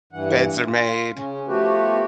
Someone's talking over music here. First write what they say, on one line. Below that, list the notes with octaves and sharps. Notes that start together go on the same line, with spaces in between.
beds are made,
G2 E3 F#5
F4
C#3 C#4
F3 A3 B3 F#4 G4 B4